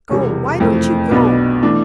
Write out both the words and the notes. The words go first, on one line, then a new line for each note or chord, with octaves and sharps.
Go--why don't you go?
E1 E2 C3 G3
F2 E3 A3 C4
B1 B2 B3 D4
E3 A3 D4